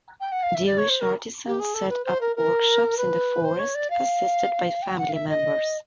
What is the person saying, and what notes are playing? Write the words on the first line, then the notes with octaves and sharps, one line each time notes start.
Jewish artisans set up workshops in the forest, assisted by family members.
G5
F#5
F5
E5
D5
C#5
C5
A#4
G4
G#4
A4
B4
C5
A#4
A#4
B4
C5
C#5
D5
F5
G5
F#5
F5
E5
D#5